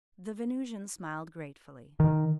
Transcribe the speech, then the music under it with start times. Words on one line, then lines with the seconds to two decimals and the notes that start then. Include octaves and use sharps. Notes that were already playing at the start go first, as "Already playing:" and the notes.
The Venusian smiled gratefully.
2.00 D#3